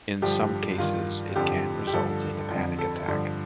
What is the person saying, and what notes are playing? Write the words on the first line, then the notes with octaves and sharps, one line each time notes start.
In some cases, it can result in a panic attack.
G2 D3 F3 G4
G2 D#3 F4
F2 D3 F3 G4
G4
G2 D3 F3 A4
F2 D3 F3
A4
G2 D3 F3